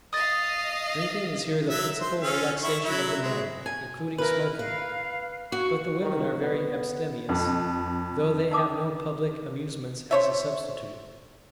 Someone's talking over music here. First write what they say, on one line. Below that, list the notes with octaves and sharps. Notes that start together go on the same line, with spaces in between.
Drinking is here the principal relaxation of the men, including smoking, but the women are very abstemious, though they have no public amusements as a substitute.
D#5 F5 D#6 A6
F#3 E5
C5
C#4 A4 F5
E4 C#6
F#3 E4
G#3
G#5
E4 A#4 B4
B4 F5
F#4 C#6
D#3
B3
F2
D#4 A#4 A5 D6 D#6
C5 C#5 E5